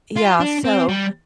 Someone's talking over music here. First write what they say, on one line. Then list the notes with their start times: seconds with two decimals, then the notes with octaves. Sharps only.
Yeah, so
0.17 F4
0.40 D4
0.64 C4
0.88 G3